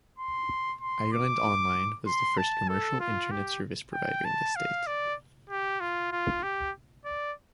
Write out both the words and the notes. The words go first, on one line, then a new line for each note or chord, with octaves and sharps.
Ireland On-line was the first commercial internet service provider in the state.
C6
C6
D6
C6
A5
A4
F4
G4
G5
A5
F5
D5
G4
F4
F4
G4
D5